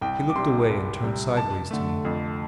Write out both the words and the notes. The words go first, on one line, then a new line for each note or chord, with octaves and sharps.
He looked away and turned sideways to me.
C2 G5
D6
C3 G3 C6
C2
C3 G3
F2 A5
D3 A3
F2